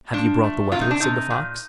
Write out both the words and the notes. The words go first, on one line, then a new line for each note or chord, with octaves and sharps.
'Have you brought the wether?' said the Fox.
F3 D4
A3
C3 F4
D#4
D4
C3 D#4
A#2